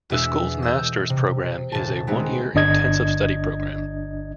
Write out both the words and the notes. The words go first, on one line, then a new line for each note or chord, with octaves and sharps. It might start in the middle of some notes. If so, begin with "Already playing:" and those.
The school's master's program is a one-year intensive study program.
E2 B2 G#3 D4 E5 E6
D#5 E6 G6
C3
D#1 A5
G#3 A3 B3 C4 D#4
G1 D4 D#5 G#6